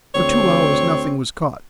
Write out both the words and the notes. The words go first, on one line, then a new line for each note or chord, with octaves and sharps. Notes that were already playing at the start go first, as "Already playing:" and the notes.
For two hours nothing was caught.
D2 C4 C#5